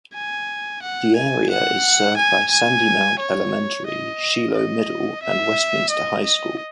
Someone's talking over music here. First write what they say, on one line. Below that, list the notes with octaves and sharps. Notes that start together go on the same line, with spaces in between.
The area is served by Sandymount Elementary, Shiloh Middle, and Westminster High School.
G#5
F#5
G#5
F#5
G#5
G#5
C#5
D#5
D#5
E5
D#5
D#5